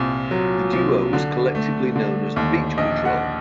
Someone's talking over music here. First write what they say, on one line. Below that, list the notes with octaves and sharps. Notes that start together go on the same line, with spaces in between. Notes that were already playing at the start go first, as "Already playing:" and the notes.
The duo was collectively known as The Beach Patrol.
Already playing: C2 A#2
F#3
C2
D3
A3
D3
D#2
A#1 D#5
F#5